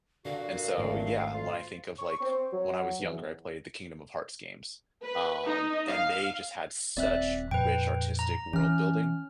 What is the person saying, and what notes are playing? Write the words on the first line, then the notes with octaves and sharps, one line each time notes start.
and so, yeah, when I think of like, when I was younger, I played the Kingdom of Hearts games, um, and they just had such rich artistic world building,
G2 A#2 D3 F#4 F5
G#1 A3 C#4
D2 F4
C#6
C4
F#3
E2
B4
D#4
F5
D#1 C4 D5 E5 F#6
F2 A#2 B4 G5
A#5
E3 C#4 F6